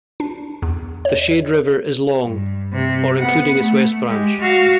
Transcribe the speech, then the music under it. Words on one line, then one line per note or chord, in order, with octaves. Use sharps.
The Shade River is long, or including its west branch.
D4
E2
C#5
G2
C3
B3 F#5
A3
G#3 G4
F#4 F5